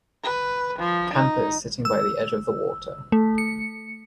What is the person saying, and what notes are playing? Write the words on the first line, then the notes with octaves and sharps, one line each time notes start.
Campers sitting by the edge of the water.
B4
F3
D#4
E6
A3
C#7